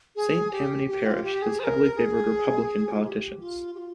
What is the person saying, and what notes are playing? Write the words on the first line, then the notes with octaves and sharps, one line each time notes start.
Saint Tammany Parish has heavily favored Republican politicians.
G#4
G4
G4
F4
G4
G#4
C5
A#4
G#4
F4
G#4
G4
F4
G4
F4